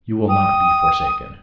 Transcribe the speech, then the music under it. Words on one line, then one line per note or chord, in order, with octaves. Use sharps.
You will not be forsaken.'
G5 D#6